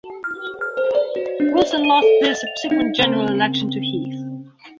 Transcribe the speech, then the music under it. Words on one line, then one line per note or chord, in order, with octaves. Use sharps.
Wilson lost the subsequent General Election to Heath.
F6
F6
C5
D5
F#4
D4
D5
D#7
A4
A6
F7
D#4
C#3 A#3 C4